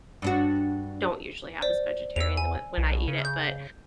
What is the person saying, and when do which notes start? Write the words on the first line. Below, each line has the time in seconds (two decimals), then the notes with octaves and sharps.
don't usually have as vegetarian, the one when I eat it, but,
0.22 G2 D4 F#4
1.62 C5 D5
2.16 E2 E6 F7
2.37 G#5
2.78 B1
3.08 C#3
3.25 G6